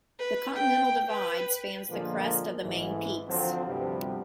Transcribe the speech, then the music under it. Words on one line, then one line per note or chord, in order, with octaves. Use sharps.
The Continental Divide spans the crest of the main peaks.
B4
G5
B4
A#2 D3 F3 G#3 A#3
A1 G#2 E3
D3 F3 F#3 C4
D2 G2 C3 F3 G3 B3